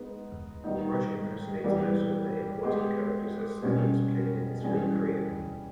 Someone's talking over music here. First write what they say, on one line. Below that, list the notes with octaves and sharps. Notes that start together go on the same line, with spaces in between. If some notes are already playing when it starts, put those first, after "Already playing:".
Rush impersonates most of the important characters that Sellers played in his film career.
Already playing: G#3 B3 D#4
D#3 G3 B3 D#4
E3 G3 B3 G4
G#3 B3 G4
B2 G3 C#4
E3 G3 C#4 G#4